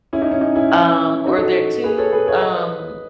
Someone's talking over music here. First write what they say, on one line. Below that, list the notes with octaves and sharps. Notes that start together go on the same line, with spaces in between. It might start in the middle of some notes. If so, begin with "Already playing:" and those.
um, or they're too, um,
C#4 E4
D#4
C#4
D#4
C#4 E4
D#4 F#4
F#4 A4
G#4 B4
A4 C#5
G#4 B4
A4 C#5
B4 D#5